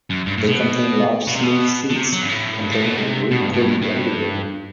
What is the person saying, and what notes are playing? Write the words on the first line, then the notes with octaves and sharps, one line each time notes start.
They contain large smooth seeds, containing a green polyembryo.
F#2
G2
A2
B2
B2
C3
B2
D3
C3
F#3
G2
A2
G2
A2
B2
C3
B2
G2
A2
G2
G2